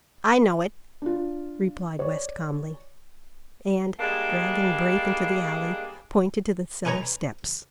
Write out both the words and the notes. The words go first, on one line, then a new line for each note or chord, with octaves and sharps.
"I know it," replied West calmly; and, dragging Braith into the alley, pointed to the cellar steps.
D4 F4
C#5 D5
G3 G#3 A#3 D4 G#4 A4
C#4 D#4 B4 C#5 G#5 A#5